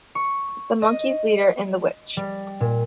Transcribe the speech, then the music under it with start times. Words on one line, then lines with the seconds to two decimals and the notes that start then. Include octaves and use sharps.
The Monkey's leader and the Witch.
0.15 C#6
0.82 D#5
2.17 G3
2.60 A#2